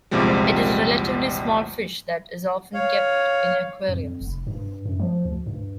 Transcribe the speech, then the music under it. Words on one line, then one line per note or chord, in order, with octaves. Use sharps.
It is a relatively small fish that is often kept in aquariums.
A#1 E2 C3 F3 G3 G#3
C#5 F5
F2
F1
G2
F#2
F3
D2
G2